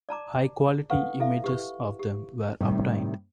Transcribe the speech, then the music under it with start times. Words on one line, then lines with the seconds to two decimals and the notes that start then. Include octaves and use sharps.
High-quality images of them were obtained.
0.09 D5 A5 A#5 D6
0.90 A4 B4 F5 F#5 C#6
1.20 E4 A4 E5 F5
1.44 G4 B4 C#6
1.99 G4
2.61 A2 C3 D#3 G3